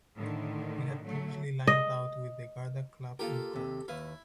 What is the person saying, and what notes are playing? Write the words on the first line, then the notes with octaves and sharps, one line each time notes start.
He had previously lined out with the Garda club in Cork.
A2 D3 D#3
F#3 A3
D#5
A#3 F4 G4 A4 A#4
D#2 C3
D#2 E4 B4 F5